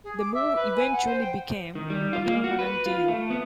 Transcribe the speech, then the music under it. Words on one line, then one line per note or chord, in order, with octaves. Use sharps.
The move eventually became a permanent deal.
G#4
D6
E5
B4
G#5
F#5
C5
G5
D#3
G3
F4
A#3
F#4
B4
F4
A3
B3